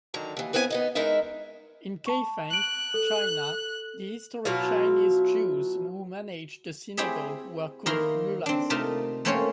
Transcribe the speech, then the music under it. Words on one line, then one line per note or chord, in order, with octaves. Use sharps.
In Kaifeng, China, the historic Chinese Jews who managed the synagogue were called "mullahs".
D3 D#3 F#3 A#5
D#2 E3
F#2 B3 C4 E4 A4 G#5
B3 D#4 D#5
G#3 D#4 E4 A#4 D#5 E5
A5 C#6
F#6 D7 F#7
A4
B2 F#3 E4 F4
C4 E4 G4 G#4 E5
D#3 A#3 E4 A#4 A#5 C6
C4 D4
C3 A3 D#4 F4 A#4 A5
A3 A#3 C4 C#4 C5 C#5